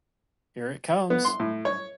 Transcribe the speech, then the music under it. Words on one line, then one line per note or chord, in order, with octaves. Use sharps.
Here it comes!
B3
C6
A2
C#5